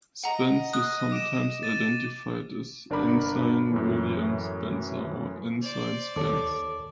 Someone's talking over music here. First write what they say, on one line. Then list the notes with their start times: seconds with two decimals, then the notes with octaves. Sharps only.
Spence is sometimes identified as Ensign William Spence or Ensign Spence.
0.24 D#5 F#5 A#5
0.73 D#6 F#6
1.12 D6 D7 E7
1.63 A6 D#7
2.90 G1 D4 A#4 B5 D6
3.72 F#2 A2 E3
5.62 C5 D5
6.16 D#2 A4 C#5 D6